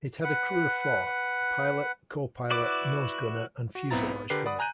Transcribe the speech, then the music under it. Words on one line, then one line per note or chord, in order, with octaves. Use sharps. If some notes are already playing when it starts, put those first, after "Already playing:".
It had a crew of four: pilot, copilot, nose gunner and fuselage gunner.
B4 F#5
E4 F#4 B4 D5 D6
F#4
B1 B3 C4 E4 A#5 A6
B3
D3 G4 A#4 B4 C7
D5 F#5 B5 D#6
G#5 A#5 F#6 G6 D#7